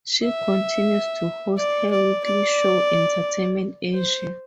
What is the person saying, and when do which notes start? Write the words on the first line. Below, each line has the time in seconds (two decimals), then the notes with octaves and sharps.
She continues to host her weekly show, "Entertainment Asia".
0.23 E5
1.58 D5
1.91 D5
2.25 D5
3.94 C5